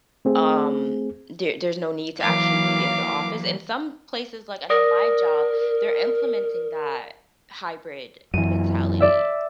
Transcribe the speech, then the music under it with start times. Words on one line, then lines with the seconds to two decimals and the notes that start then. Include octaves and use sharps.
Um, there there's no need to actually be in the office, and some places like I know my job, they're implementing that hybrid mentality.
0.25 A3 C4 G#4
2.20 E3 F#3 A#3 F5 D6
4.70 A#4 D5 D#6 A#6
8.34 F#2 E3 D#7
9.00 D5 E5